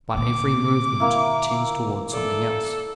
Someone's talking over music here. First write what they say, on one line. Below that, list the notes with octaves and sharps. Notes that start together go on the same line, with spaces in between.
But every movement tends towards something else.
A#2 D3 D6
A#3 E4
A4 D5